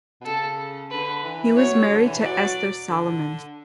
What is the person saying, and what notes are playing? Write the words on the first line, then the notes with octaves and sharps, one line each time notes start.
He was married to Esther Salomon.
B2
C#3 A4
D3 B4
E3
F#3 C#5
G3
D3
E3
F#3 D5
D3